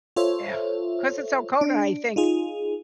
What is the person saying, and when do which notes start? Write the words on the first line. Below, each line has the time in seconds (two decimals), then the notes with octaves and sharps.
ugh, 'cause it's so cold, and I think,
0.16 F4 A4 C5 C#5 E5
1.61 D4
2.16 D#4 F4 G#4